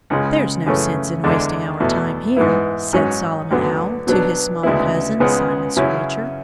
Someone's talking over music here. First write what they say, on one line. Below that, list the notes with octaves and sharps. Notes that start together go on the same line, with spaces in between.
"THERE'S no sense in wasting our time here," said Solomon Owl to his small cousin, Simon Screecher.
C#2 C#3 G#3
F#2 C#3 E3 A3 C#4
E2 D3 G#3 D4
E2 B2 A3
G#2 E3 B3 E4
G#2 F#3 C#4
D2 D3 F#3 B3
B2 F#3 B3 D4
D2 C#3 G#3 B3 E4
C#2 C#3 G#3 B3
F#2 C#3 F#3 C#4 E4